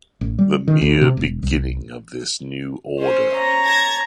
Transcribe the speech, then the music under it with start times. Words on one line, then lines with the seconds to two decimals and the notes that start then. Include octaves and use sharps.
The mere beginning of this new order.
0.21 A1
0.39 G3
0.68 D#3
0.81 D2
1.01 C3
1.17 E1
1.43 C2
2.98 C#4 C5
3.32 C#5 A#5
3.65 A5 G#6 A#6